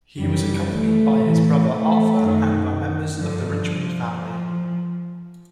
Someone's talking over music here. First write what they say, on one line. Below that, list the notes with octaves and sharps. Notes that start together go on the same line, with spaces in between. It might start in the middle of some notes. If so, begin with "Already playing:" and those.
He was accompanied by his brother Arthur and by members of the Richmond family.
F#2 C#3 E3 G3
A3
A2 E3
A3
F#2 D#3
G2 D3 F3
F3